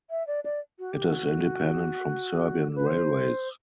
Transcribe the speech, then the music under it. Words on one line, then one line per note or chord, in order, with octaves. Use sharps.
It is independent from Serbian Railways.
E5
D5
D5
F#4
G4
F#4
B4
C5